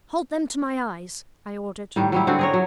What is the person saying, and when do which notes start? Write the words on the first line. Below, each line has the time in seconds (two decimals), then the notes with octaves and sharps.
"Hold them to my eyes," I ordered.
1.96 A2 D#3 G3
2.12 F#3 G3 E4
2.27 D3 G#3 C4 F#4
2.39 G#4 A#4 C#5
2.54 F#3